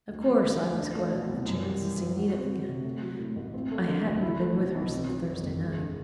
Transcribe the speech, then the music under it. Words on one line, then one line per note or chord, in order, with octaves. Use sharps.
Of course I was glad of the chance to see Nita again--I hadn't been with her since Thursday night.
D2
F#3
D3
D2
D4
A3
B2
C2
F#2
G3
E3
F#2
F#4
C4
F#3
C3
A3
F#3
A2
A1
C4
A3
D3
D2
E4
A3
B2
B1
C4
F#3
F#2
F#1
E1
D3